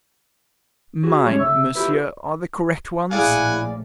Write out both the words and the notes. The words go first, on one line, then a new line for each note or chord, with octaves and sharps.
"Mine, monsieur, are the correct ones."
F#4 G#4
G3 G#3 C#4 C#5
C#3 E5
E4 F4 G4 B4
A#1 A2 E4 G#4 D5 F5 F#5 G#5